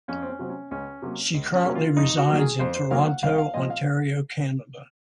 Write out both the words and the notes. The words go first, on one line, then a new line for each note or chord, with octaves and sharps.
She currently resides in Toronto, Ontario, Canada.
F2 C#4
C4
C#4
C3 F#3 C4
C#4
C#2 C#4
C3 F#3 A#3
C#2
C#4
C3 F#3 A#3
F4
F2 D#4
F#4
D#3 F#3 A#3
G#4
F2 C5
C5
D#3 F#3 A#3 F5
F#5
C2 F5
F5
A#2 F3 C4 D#5
F5